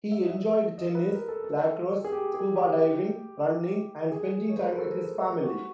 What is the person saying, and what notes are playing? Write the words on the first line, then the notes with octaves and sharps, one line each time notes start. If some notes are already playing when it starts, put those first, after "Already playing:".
He enjoyed tennis, lacrosse, scuba diving, running, and spending time with his family.
E5
D#5
E5
D#5
B4
A#4
A4
A4
G#4
G4
G#4
G4
G#4
C#5
C5
B4
A#4
A4
G4
F#4